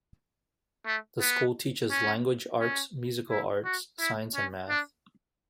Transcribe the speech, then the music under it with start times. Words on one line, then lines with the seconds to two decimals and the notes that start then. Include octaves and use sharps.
The school teaches Language Arts, Musical Arts, Science and Math.
0.86 A3
1.21 B3
1.90 C#4
2.60 C#4
3.30 E4
3.64 F#4
4.00 E4
4.35 C#4
4.69 D4